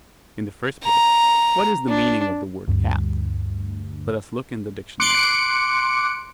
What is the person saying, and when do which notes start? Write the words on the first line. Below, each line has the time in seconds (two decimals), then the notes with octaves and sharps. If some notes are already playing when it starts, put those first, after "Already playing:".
In the first place, what is the meaning of the word "Cat." Let us look in the dictionary.
0.84 A#5
1.88 D4
2.68 D2 G2
5.00 C6 D6 F#6 C#7 D7